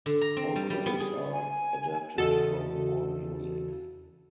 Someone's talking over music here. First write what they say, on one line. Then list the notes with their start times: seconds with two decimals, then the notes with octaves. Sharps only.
All credits are adapted from Allmusic.
0.06 D3
0.21 A#5
0.37 C4
0.56 G3
0.70 G3
0.86 B3
1.00 G#4
1.33 G#5
2.18 E2 C#3 F#4 A4 D#5